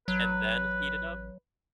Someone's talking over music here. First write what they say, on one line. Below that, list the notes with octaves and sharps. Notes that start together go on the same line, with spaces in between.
and then heat it up
A1 F#3 B4